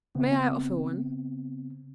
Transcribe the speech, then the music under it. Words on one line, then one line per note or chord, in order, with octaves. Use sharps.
"May I offer one?"
C#3 B3 C4